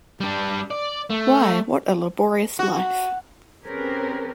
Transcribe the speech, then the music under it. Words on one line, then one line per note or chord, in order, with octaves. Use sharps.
Why, what a laborious life!
G3 D4
D5
A3
F#4
C4 C#4 G4 G#4 A#4 B4